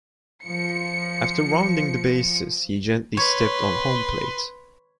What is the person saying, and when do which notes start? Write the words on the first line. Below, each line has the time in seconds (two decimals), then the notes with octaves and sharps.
After rounding the bases, he gently stepped on home plate.
0.44 F3 C#7
3.17 B4 C#5 C6